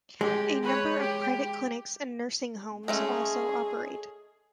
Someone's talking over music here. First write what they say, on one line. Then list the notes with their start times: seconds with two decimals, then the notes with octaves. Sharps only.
A number of private clinics and nursing homes also operate.
0.21 G#3 G4
0.63 B4 C#5
1.00 G4
2.88 G#3 A3 C#4 G#4